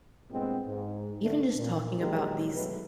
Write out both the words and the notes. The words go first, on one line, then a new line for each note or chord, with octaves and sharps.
Even just talking about these
G2 A#2 G#3 B3 C4
G#2
D3 A3
A#2
A#2 D#3 F#3 G#3 G4 A#4
B2 F#3 G#3 A3 B4